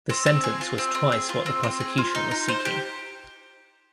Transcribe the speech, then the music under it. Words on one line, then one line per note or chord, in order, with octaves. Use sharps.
The sentence was twice what the prosecution was seeking.
C4
C4
G#4
F4
C4
C4
G#4
F4
C4
C4
G#4
F4
D#4
D#4
C5
G4